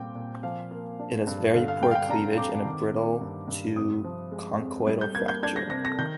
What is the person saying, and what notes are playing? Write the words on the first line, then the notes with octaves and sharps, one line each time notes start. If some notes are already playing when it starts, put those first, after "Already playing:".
It has very poor cleavage and a brittle to conchoidal fracture.
Already playing: A#2 G3 C4 F5 G5 D6
A#2
F3 F5
A#3
D4
G2
D3 F5
F5
G3 G5
F5
G5
D4 A#5
F2 D6
D#3
A#3
G2
G2
C3 D#6
F3
G#3
F2
G3
G6
A#3 G#6
G6
D4 G#6
A#6
C3 A#6
A#6
D#3 G6